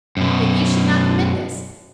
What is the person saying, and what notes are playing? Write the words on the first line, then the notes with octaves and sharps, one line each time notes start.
But you should not permit this.
F#2 B2